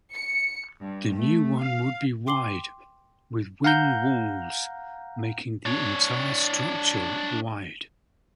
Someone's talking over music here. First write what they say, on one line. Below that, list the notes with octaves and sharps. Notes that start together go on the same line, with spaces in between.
The new one would be wide, with wing walls making the entire structure wide.
C#7
G2
A3
F5
G5 C6 D6 C7 F#7 G7
F5 F#5 A#5 G6
D4 C#5